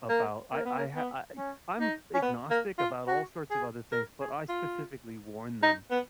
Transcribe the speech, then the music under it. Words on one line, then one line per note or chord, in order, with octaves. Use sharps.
about I I ha I eh I'm agnostic about all sorts of other things, but I specifically warn them
A#3
A#3
B3
A#3
B3
C#4
D#4
C#4
B3
A#3
F4
F#4
G#4
A#4
G#4
F4
D#4
B3